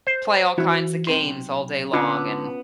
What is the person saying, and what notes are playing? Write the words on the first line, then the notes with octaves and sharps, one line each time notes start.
play all kinds of games all day long and
C5
E3 E4 F#4
B1 C3 C6
D3 B3 C#4 F4